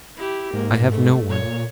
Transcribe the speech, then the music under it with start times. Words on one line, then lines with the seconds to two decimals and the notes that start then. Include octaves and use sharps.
"I have no one."
0.17 E4 G4
0.53 G#2 A#3
0.91 A3
1.29 A#2 C#5